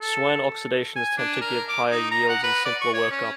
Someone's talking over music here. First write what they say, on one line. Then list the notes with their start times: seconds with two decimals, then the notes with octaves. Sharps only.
Swern oxidations tend to give higher yields and simpler workup.
0.02 A4
0.96 G#5
1.17 D4
1.41 A#4
1.68 D6
1.91 D#4
2.12 A#5
2.29 F#5
2.43 B4
2.65 D5
2.81 C#6
2.94 C#5
3.11 C#4